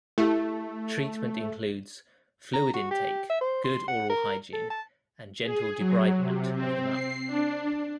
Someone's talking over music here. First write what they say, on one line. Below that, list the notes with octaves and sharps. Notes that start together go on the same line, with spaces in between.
Treatment includes fluid intake, good oral hygiene and gentle debridement of the mouth.
A3 E4 G4
A#5
F#4
G4
E5
C5
C6
F#5
A#4
A4
A5
G#4
F#3
C3
C4
C7
D4